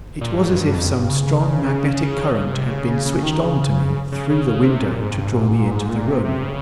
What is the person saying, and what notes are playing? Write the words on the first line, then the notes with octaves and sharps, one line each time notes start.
It was as if some strong magnetic current had been switched on to me through the window to draw me into the room.
A#2
G2
G#2
F2
G2
F2
G2
C#3
C#3
C#3
C#3
C3
C#3
C#3
C#3
C#3
D#3
C#3
C#3
C#3
C#3
C3
A#2
G#2
G2
G#2
A#2
G#2
A#2
G#2
A#2
C3
C3
C#3